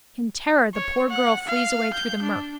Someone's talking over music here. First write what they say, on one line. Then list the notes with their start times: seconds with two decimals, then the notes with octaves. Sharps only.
In terror the poor girl flees away through the murk.
0.74 C#5
1.09 F#5
1.47 F5
1.93 G6
2.22 D4